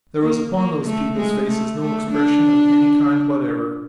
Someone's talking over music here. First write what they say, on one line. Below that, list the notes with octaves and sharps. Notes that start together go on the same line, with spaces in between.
There was upon those people's faces no expression of any kind whatever.
A#3
A#3
A3
G#3
A3
A3
D4